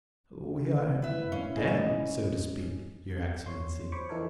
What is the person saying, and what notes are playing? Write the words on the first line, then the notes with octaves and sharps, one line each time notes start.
"We are dead, so to speak, your Excellency."
E4 B4 E5
C#4 F5
D#4 G#4
D#5
C#5 C6
C5 C#5 B5 C#6 D6
E3 F3 D#4 A4 A#4 C#5